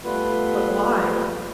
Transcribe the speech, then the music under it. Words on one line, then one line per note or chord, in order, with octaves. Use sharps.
But why?
G3 A3 B3 F4 B4